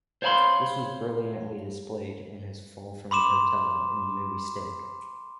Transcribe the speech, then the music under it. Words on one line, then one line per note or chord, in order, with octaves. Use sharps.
This was brilliantly displayed in his fall from the hotel in the movie "Stick".
C5 C#5 F5 G#5 B5 C6
B5 C6 D6 E7